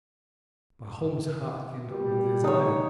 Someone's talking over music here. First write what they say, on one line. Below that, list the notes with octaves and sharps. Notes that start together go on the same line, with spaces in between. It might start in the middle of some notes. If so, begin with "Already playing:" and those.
Pahom's heart kindled with desire.
G3
D#4 C#5